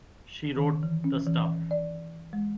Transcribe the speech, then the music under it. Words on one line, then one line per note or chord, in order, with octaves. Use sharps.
She wrote the stuff.
D#3
E3
C#4
E3
D5
G#3